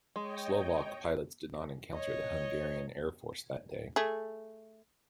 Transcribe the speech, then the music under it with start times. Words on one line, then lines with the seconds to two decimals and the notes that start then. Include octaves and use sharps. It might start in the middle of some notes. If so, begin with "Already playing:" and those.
Slovak pilots did not encounter the Hungarian Air Force that day.
0.16 G#3 C#5 D#5 G5
1.94 C#5 D#5
3.96 A3 G#4